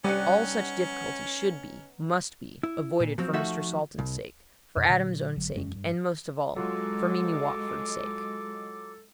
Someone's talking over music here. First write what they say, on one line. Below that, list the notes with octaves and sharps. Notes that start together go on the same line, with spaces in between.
All such difficulties should be--must be--avoided for Mr. Salton's sake, for Adam's own sake, and, most of all, for Mimi Watford's sake.
G3 B3 C#4 D#4 F#5
E4
A#2
F3 F#3 C4
F3 A3 D#4 F#4 A4 E5
C2
F2 B2
A#2 D3 F#3
G#1 D3 F#3
E1 F#2 G#3 C#4
G2
F#3 G#3 F4 F#4 A4 D6